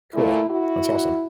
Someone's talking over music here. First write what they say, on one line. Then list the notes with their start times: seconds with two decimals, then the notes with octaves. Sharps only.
Cool. That's awesome.
0.14 A#2 A3 E4
0.50 E4 F#4